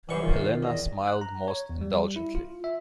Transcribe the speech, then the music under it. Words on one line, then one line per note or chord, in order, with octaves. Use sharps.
Helena smiled most indulgently.
C2 F#2 E3 C5 C#6
D#3 F4
E2 D#5
F#6
A#5
C#5
E2
G3
E4
F4
E5